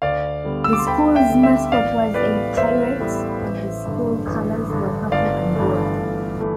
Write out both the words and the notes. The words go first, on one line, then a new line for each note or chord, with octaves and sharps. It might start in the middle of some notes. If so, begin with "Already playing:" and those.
The school's mascot was a pirate and the school colors were purple and gold.
D2 D5 F5
D3 G3 B3
E6
D6
C6
D2 G5 B5
E5 G5
D3 G3 B3
E5 G5
A1 D5 F5
A2 G3 B3 B4 D5
A1 C5 E5
A2 G3 B3
A1
G2 D3
A1
G2 D3
G1 D5 F5
G2 E3 A3
G1
E3 A3